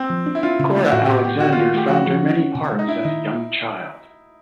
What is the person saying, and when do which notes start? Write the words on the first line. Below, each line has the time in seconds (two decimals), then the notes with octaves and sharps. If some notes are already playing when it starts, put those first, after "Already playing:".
Cora Alexander found her many parts as a young child.
Already playing: C4
0.10 F3
0.26 D4
0.35 E4
0.43 D4 F4
0.59 C#3
0.76 A3
0.91 A2 F#4
1.07 A2 G4
1.24 B3 G4
1.40 D#3 F#4
1.52 F4
1.57 D#3
1.74 A3 G4
1.89 F3 F#4
2.07 F3
2.23 C#4
2.39 C#4
2.55 C3
2.72 G#3
2.79 D#4
2.88 D4 E4
3.04 D#3 D#4